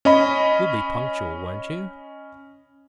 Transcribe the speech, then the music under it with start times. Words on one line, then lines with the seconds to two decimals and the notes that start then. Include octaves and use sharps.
"You'll be punctual, won't you?"
0.05 C#4 D#5 B5